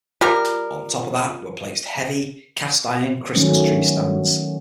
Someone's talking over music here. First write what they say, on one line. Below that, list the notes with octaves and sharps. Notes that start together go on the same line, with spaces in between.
On top of that were placed heavy cast iron Christmas tree stands.
G3 F4 A#4
D#3 F#3 A3 C#4